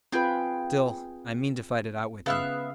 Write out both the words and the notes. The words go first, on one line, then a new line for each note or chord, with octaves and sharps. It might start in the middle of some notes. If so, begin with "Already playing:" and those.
Still I mean to fight it out with you.
C4 F4 G#4 B4 G5
C#3 B3 E5 F5 F#6